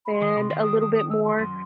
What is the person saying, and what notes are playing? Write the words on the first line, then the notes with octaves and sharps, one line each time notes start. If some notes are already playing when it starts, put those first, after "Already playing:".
and a little bit more,
B5
C6
D#3 D#6
C3 B5 C6
D#3
D#6
D#6
D#6
E6
C6
F#2 C6